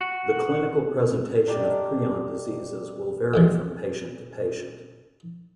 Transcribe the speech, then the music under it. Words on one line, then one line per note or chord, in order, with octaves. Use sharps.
The clinical presentation of prion diseases will vary from patient to patient.
F#4
D#3 D4 G4 A#4
A#1 E3 G#3